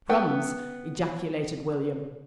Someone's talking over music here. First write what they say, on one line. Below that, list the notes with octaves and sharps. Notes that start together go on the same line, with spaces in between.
"Crumbs!" ejaculated William.
B3 G5